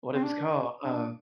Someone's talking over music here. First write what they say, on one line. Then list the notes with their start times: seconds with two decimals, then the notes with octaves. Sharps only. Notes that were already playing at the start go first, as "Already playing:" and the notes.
what it was called. Uh,
0.15 C4
0.23 D4
0.84 D4